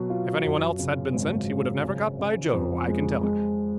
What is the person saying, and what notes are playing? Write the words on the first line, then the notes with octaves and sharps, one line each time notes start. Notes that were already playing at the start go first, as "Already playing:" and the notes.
If anyone else had been sent, he would have never got by Joe, I can tell you.
Already playing: B2 F#3
F4
F#2
C#3
G#1
G#3
C#3
C#3
F2
G#3
G#3